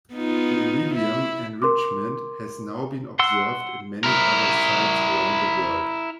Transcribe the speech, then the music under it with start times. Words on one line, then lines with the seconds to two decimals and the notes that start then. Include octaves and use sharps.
This iridium enrichment has now been observed in many other sites around the world.
0.14 B3 D#4 F4
0.95 E4
1.62 A#4 C6 D6
3.19 F#5 C6 E6
4.04 E4 A#4